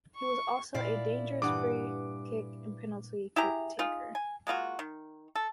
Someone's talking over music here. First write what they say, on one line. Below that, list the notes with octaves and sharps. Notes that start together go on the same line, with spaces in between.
He was also a dangerous free kick and penalty kick taker.
C#6
A#2 E4 D5 F5
G2 E3 F#5 D6 D#6
E4 G4 G#4 A#5
D#4 F4 G#4
G#5
G#3 A#3 F4 F#4
D#3
A4